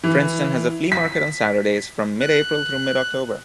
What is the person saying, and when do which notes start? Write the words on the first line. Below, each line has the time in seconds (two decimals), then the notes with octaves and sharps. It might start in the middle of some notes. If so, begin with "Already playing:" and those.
Princeton has a flea market on Saturdays from mid-April through mid-October.
0.04 E3
0.92 B6
2.21 F#6